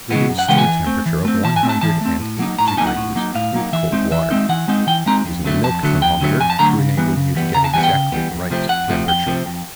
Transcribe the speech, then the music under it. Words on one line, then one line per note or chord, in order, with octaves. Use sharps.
Reduce to a temperature of one hundred and eight degrees with cold water, using a milk thermometer to enable you to get exactly the right temperature.
C#3 E3 G#3 B3
F#2
F#5
C#3 E3 G#3 B3 G5
G#5
E3
A3 C4
E3
A3 C4
E3 A5
G#5
A3 C4
A5
E3 A5
A3 C4
A2
F#3 A#3 D#4
A2 A#5
A5
F#3 A#3 D#4 G#5
F#5
A2
F#3 A#3 D#4
A2 F5
F#3 A#3 D#4
E3 E5
G#3 C4 D#4
E3 E5
G#3 C4 D#4
E3 F#5
G#3 C4 D#4
E3 G5
G#3 C4 D#4 A#5
F2
D3 F#3 A3
F2 A5
D3 F#3 A3
F2 G5
D3 F#3 A3
F2 G#5
A5
D3 F#3 A3 A#5
C#3
E3 G3 B3
C#3
E3 G3 B3
C#3 A#5
A5
E3 G3 B3 G#5
G5
C#3
E3 G3 B3
F2
C3 F3 A3 C4
F2 F#5
C3 F3 A3 C4
F2 G5
C3 F3 A3 C4
F2